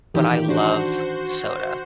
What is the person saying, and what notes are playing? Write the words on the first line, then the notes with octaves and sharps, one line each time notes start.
but I love soda,
D#3 E3 D#4 G4
D4 F#4 C5